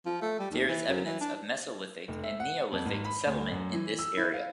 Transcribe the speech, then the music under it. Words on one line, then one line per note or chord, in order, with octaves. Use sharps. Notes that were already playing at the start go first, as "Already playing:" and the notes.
There is evidence of Mesolithic and Neolithic settlement in this area.
F3
A3
G3
D#2
E3
F#2
E3
D4
F1
E5
F#5
F2
G#1
B5
D2
F#2
E3
E6
E4
F5